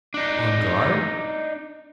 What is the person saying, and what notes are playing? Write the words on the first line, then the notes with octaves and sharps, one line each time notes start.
"On guard?"
D4 D#4